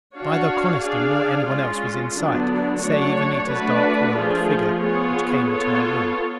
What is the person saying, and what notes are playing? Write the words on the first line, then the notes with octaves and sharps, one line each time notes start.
Neither Coniston nor anyone else was in sight, save Anita's dark-robed figure which came into my room.
D4 F#4 C#5 F5
D4 G#4 D5 F5
G#3 C#4 F4
D3 F#3 B3 D4
F#3 A3 D4 F#4 C#5
A3 D4 F#4 B4
F3 A3 F4 G#4
B3 F4 G#4 C#5
B3 F4 A4 C#5